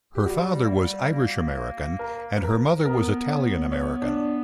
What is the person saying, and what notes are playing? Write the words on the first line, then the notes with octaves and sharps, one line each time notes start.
Her father was Irish American and her mother was Italian American.
G4
G3 F#4
A#3
G3
A#3
A#4
B4
A#4
B3 A#4
C#5
C#5
D4